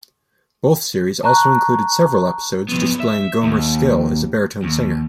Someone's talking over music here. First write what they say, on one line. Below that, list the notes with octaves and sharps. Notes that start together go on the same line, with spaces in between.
Both series also included several episodes displaying Gomer's skill as a baritone singer.
A5 A#5 C#6 F#6
F3 B3
E5
D#2
D#2